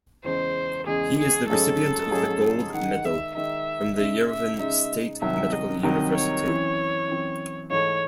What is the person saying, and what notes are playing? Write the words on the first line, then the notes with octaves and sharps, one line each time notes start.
He is the recipient of the Gold Medal from the Yerevan State Medical University.
E2 C#3 G#3 C5
E2 C#3 G#3 G#4
G#4
G#2 F#3 A3 C#4 G#4 A4
G#2 F#3 A3 C#4 G#4
D#3 G#3 D#4 F#5
E5
D#3 G#3 D#4 E5
C#3 G#3 D#4 E5
E5
C#3 G#3 D#4 E5
C2 C3 D#3 F#3 E5
D#5
C2 C3 D#3 F#3 D#5
C#5
F#2 E3 C4 E4
F#2 E3 C4 E4
G#2 E3 A3 C#5